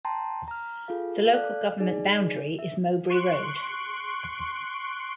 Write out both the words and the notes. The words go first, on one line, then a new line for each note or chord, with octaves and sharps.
The Local Government boundary is Mowbray Road.
G5 A5 A#5 C6
A#5 F6
F4 G#4 A4 F5
A4 D5 F5 F#6
D#4 G#4 D5
E5
C6 C#6 F#6 D7